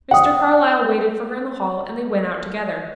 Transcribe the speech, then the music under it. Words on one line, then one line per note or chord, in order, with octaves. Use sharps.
Mr. Carlyle waited for her in the hall, and they went out together.
F#5 G5 D#6